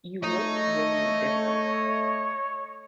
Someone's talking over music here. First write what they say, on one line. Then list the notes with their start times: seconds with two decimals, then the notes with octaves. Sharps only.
you look really different,
0.24 A3 C#5 D#5 A#5